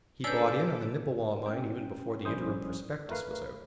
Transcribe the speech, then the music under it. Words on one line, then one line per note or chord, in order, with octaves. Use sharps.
He bought in on the Nippewa mine even before the interim prospectus was out.
C#4 D4 A4 B4 D6 E6 G6
C#4 G5
A#1 G3 C#4 E4 C5 D#6
A3 A#4 B4 F5